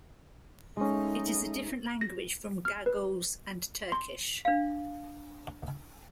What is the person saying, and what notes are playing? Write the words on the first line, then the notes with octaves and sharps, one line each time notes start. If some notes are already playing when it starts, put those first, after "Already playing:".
It is a different language from Gagauz and Turkish.
G#3 A3 C#4 D#4
A#6
F6
B4
C6
D4 F5